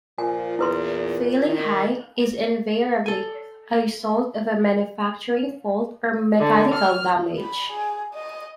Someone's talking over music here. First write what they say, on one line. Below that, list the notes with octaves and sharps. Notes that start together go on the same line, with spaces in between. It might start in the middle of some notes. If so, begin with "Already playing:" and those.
Failing high is invariably a result of a manufacturing fault or mechanical damage.
A#2 F3 G#5
E2 E4 B4 C6
D#3
A4 G#5
D3
F6
B5
G#4
D#5